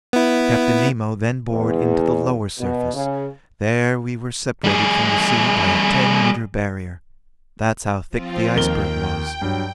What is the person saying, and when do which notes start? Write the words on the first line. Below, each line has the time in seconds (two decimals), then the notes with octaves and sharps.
Captain Nemo then bored into the lower surface. There we were separated from the sea by a ten-meter barrier. That's how thick the iceberg was.
0.13 B3 E4
1.51 E2
2.59 B2
2.94 C#3
4.64 G3 G#4
8.09 F3 C4 F4
8.55 D#2 A#4 G5 G7
9.42 G2 F#3